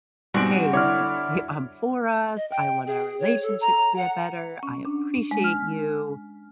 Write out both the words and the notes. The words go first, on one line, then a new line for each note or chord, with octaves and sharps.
"Hey, wi I'm for us, I want our relationship to be a better, I appreciate you.
G#2 B2 G3 C4 F#4 G4 D7
D3 E4 C#5 D5 D6 F6
D#5
G5
G#4
C#5
A4
A#5
F#5
C#4
D4
G#3
F6